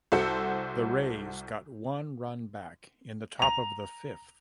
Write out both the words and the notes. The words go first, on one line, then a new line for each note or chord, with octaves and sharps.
The Rays got one run back in the top of the fifth.
C2 F#4 A4 C5 E6 C#7
A#5 F7